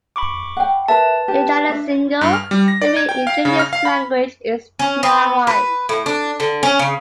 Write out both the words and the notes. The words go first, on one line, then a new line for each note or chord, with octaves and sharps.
In Jalacingo the main indigenous language is Nahuatl.
B5 C#6 D6
F#5 G5
A#4 B4 E5 A5
G4
D4 E5
G2
F6
G3
A#6
D5
G#6
G5
F5
C#3
F6
F5
B5
C#4
B3
B4
A2
D4
D3
C#4
C#3